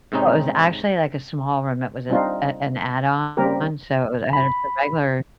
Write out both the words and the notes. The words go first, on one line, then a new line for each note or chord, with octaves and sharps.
Oh, it was actually, like, a small room, it was an, uh an add-on, so it was it had just a regular,
G#2 C3 C4 C#4 D#4
G3 C4 D4 D#4 F4
C#3 G3 A#3 C4 G4 A#4
B5